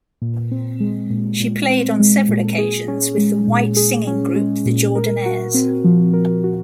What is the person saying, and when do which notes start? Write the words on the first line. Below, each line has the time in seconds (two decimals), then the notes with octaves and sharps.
She played on several occasions with the white singing group the Jordanaires.
0.22 A#2
0.51 C4
0.80 G#3
1.10 A#2
1.40 A#2
1.70 C4
1.99 G#3
2.29 A#2
2.58 G#4
2.88 C#4
3.18 G#3
3.48 A#2
3.77 G#4
4.07 C#4
4.36 G#3
4.66 A#2
4.95 A#4
5.26 F#4
5.54 C4
5.84 F3
6.14 A#4
6.44 F#4